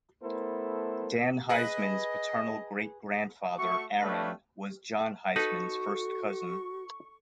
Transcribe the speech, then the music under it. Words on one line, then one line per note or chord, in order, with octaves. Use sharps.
Dan Heisman's paternal great-grandfather, Aaron, was John Heisman's first cousin.
A3 B3 E4 A4 A#4 C5
G#4 B4 D#5
A3 F#4 E5 C#6
G3 A3 D4 B4 C#5 F5
D#4 F#4 A4 B4 F#5 C#6